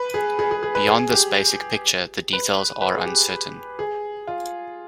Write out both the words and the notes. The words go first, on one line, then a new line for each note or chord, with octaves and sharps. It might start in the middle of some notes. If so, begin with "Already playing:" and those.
Beyond this basic picture the details are uncertain.
Already playing: B4
G#4
G#4
G#4
G#4
B4
G#4
G4
B4
B4
G#4
G4
G#4
F4